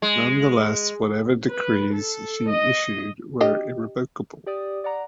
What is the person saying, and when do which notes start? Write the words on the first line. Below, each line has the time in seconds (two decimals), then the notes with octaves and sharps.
Nonetheless, whatever decrees she issued were irrevocable.
0.02 G#3
1.51 B4
1.92 A4
2.50 D#5
3.40 D4 G4 D#5
4.46 G4 D5 D#6
4.84 D5 F#5 A#5